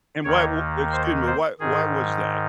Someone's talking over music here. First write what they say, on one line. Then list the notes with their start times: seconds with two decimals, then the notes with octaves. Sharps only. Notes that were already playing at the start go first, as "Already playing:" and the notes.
And why wo excuse me. Why why was that?
0.24 D#2 D#3 C#5
0.92 C5
1.26 C5
1.60 G#2 D#3 G#4